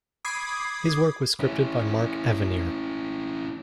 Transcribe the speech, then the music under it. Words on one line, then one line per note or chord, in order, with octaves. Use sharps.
His work was scripted by Mark Evanier.
B5 D6 D#6 G#6 C7
C#4 E4